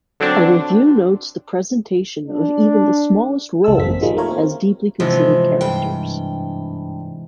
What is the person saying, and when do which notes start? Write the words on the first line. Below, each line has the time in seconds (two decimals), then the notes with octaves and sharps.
A review notes the "presentation of even the smallest roles as deeply-considered characters".
0.20 D3 F#3 C4 D4
2.28 D4
3.64 C#2 G#3 A4 E6
3.78 A1 F#2 A#3 C4 B6
4.01 D#3 F3 G3 G#3 A#3
4.17 A3 A#3 F4 A#4 C#5
4.31 C4
5.00 G#2 C3 E3 F3
5.61 G2 G5